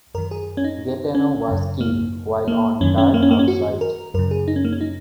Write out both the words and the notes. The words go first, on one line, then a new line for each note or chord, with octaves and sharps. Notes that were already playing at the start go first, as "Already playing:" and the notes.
Gaetano was killed while on guard outside.
F#2 D#3 A#4
G#4
C#4
D#4
C#4
F#2 C#3
A#3
A#3
F#2 D#3 C#4
C#4
A#3
C#4
A#3
C#4
F#4
A#4
F#2 C#3 A#4
G#4
D#4
C#4
A#3
C#4
D#4